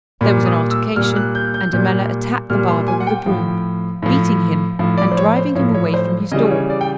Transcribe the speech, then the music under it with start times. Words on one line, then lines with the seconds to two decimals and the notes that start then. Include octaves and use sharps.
There was an altercation, and Ammella attacked the barber with a broom, beating him and driving him away from his door.
0.21 A#2 G3 B5
0.46 D#6
0.71 E6
0.96 A#2 G3 F6
1.16 F#6
1.35 G6
1.54 G6
1.73 A#2 G3 G6
2.50 A#2 G3 F6
2.69 C6
2.88 G#5
3.00 F#5
3.07 G5
3.26 A2 F3
4.02 A2 F3
4.79 A2 F3
4.98 D5
5.11 C5
5.17 C#5
5.36 C5
5.55 A2 F3 C#5
5.74 C#5
5.94 C5
6.32 C#3 E3 G3 D#5
6.51 C#5
6.70 D5
6.81 G5